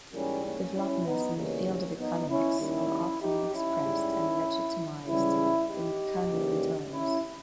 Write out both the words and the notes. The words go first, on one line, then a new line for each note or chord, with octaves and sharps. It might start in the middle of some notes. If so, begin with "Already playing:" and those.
Developments in the field of economics are often expressed and legitimized in Kuhnian terms.
G#2 E3 G3 A#3 C#4
A#3 C#4
C#4 E4
B3 D#4
D#2 C#3 E3 G3 A#3 C#4
B3 D#4
C#4 E4
D#2 D#3 G3 C#4 E4
D#4 G4
C#4 E4
G#2 G3
C#2 C#3 E3 G3 C#4 E4
D#4 G4
D#2 C#3 E3 G3
C#4 E4